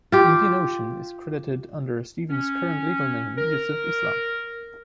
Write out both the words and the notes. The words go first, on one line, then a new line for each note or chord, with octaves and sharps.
"Indian Ocean" is credited under Stevens' current legal name, Yusuf Islam.
F4 G4
C#4
A#4